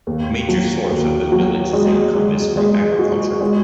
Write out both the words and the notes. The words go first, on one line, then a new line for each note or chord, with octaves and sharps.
Major source of the village's income is from agriculture.
D#2
F#3
D#2
F#3
G#3
G#3
G#3
F#4
G#3